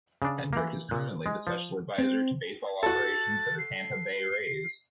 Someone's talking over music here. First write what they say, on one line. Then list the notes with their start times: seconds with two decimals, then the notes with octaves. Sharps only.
Hendrick is currently the special advisor to baseball operations for the Tampa Bay Rays.
0.22 C#3 D4
0.53 E3 A#3
0.91 A#2
1.26 G#3
1.47 F3
1.98 C4
2.83 F#4 A4 A6
3.59 C7